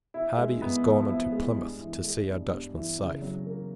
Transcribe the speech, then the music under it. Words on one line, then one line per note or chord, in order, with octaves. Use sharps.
Hardy is gone into Plymouth, to see our Dutchman safe.
E4
G#3
B3
F3
E4
G#3
G2
E3
G#3
G2
G2
E3
C#3
F#3
A#3